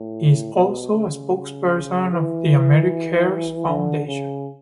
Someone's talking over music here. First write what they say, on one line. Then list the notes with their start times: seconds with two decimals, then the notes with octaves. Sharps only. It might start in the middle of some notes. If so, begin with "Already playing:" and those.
He is also a spokesperson of the AmeriCares Foundation.
Already playing: A2
0.55 B2
0.94 C#3
2.12 E3
3.68 D3
4.08 C#3